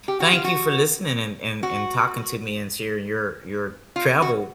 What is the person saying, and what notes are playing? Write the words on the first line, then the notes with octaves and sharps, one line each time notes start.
Thank you for listening and and and talking to me and sharing your your travel
G4
F#4
F4
F#4
F#4
F4
F#4